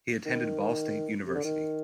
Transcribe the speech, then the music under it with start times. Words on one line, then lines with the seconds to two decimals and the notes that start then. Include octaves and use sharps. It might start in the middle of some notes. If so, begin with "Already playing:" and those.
He attended Ball State University.
0.26 D#3
1.26 C3
1.35 D3
1.45 D#3